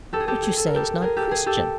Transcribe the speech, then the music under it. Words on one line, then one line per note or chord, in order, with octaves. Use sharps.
"What you say is not Christian."
G4 A4
G#4
G4 A4
G#4
A4
A#4
G4 A4
G#4 A#4
G4 A4
G#4
G4 A4